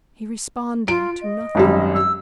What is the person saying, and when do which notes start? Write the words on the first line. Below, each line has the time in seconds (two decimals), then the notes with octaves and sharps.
He responded to nothing.
0.88 F4 D7
1.22 D#5
1.55 G#1 F#2 G3
1.94 E6